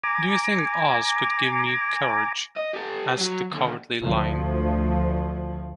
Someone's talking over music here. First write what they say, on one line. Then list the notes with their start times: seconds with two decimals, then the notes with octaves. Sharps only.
Do you think Oz could give me courage? asked the cowardly Lion.
0.03 G#5 A#5 D6
2.57 D#5
2.74 G4 A4
3.17 F#3 F#4
3.51 D#2 D3
4.01 D2 F3